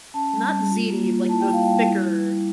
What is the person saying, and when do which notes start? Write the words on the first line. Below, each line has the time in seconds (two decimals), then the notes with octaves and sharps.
not ziti, like, the thicker,
0.14 C#4 A5
0.33 G3
0.52 G3
0.71 F4
0.90 A#3
1.09 F4
1.29 E4 A5
1.40 G5
1.48 G3 F5
1.64 G3 G5
1.86 E4
2.07 E4
2.26 E4